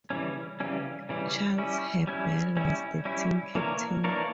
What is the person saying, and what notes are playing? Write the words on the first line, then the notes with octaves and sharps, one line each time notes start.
Charles Hubbell was the team captain.
C#3 E3 G3 C#4
C#3 E3 G3 C#4
C#3 E3 G3 C#4
G3 C#4 E4
G3 C#4 E4
G3 C#4 E4
G3 C#4 E4
E3 A#3 D4 A#4 C#5
E3 A#3 D4 A#4 C#5